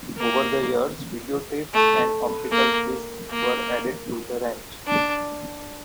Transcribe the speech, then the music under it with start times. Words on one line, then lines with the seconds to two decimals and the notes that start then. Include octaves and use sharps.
Over the years, videotapes and optical discs were added to the range.
0.17 A#3
1.74 A3
2.52 A#3
3.30 A#3
4.87 D4